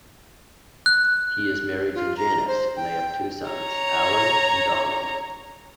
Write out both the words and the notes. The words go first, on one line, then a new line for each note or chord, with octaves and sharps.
He is married to Janice, and they have two sons, Alan and Donald.
F#6
F4
A#5
C5
G5
C#5 A#5